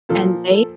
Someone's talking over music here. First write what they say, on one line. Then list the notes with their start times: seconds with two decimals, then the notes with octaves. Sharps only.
And they,
0.09 A#2 F3 A4
0.51 A4